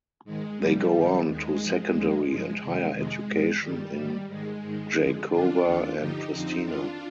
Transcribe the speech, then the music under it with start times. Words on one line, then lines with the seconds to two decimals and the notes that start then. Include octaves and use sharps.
They go on to secondary and higher education in Gjakova and Pristina.
0.24 G#2 D#3 G#3
0.58 F2 C3 F3 G3
0.92 G2 D#3
1.26 D#2 D#3 G#3
1.60 G#2 F3
1.93 D#2 D3 F3
2.26 G2 F3 G#3
2.61 F2 C3 D#3
2.94 F2 C3 D#3 G#3
3.27 G#2 F3
3.61 G2 D#3 G3
3.94 G#2 D#3
4.28 G#2 D#3 G#3
4.62 G#2 D#3
4.96 F2 D3 F3
5.29 G2 D3 F3 D4 F4
5.63 D#2 D#3
5.96 G2 D3 F3 D#4 G4
6.29 F2 D3 F3 C4 D#4
6.63 F2 D#3 D4 F4